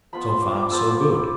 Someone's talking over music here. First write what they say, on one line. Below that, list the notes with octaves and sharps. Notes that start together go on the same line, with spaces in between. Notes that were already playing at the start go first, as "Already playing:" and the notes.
So far so good.
F3 B3 F4 B5
C6
D6
D6
F3 B3 F4 E6
D6
D6
D6